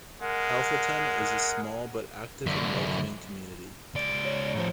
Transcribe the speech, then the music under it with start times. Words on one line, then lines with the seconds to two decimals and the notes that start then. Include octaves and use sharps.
Alpheton is a small but active and welcoming community.
0.22 G#3 A#4 F#5
2.46 F#2 D3
3.95 C#2 D5
4.25 C#5
4.55 A2 F3 C5 A#5